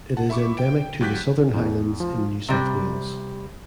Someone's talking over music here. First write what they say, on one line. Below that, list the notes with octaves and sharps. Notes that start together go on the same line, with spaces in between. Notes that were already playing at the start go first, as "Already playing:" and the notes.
It is endemic to the Southern Highlands in New South Wales.
F#5 A5
E5 B5 C#6 D6
G5 D7
C#2 F#3 G4 F#6 G6 B6
E2
F3
C3 G3